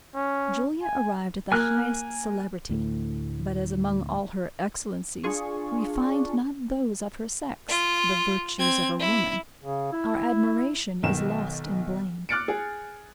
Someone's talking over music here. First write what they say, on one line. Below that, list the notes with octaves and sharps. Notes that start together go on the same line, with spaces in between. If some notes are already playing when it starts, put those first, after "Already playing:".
Julia arrived at the highest celebrity; but as among all her excellencies, we find not those of her sex, the virtues of a woman, our admiration is lost in blame.
C#4
G#5
A#3 G#5 F6 F#6
D2 A2
D4 F4 G#4 C#6
F4
C4 G#6
E4
C#3
E4
B1 B2 D#3 E7
D6 F6 F#6 A6 C#7 D7
G#4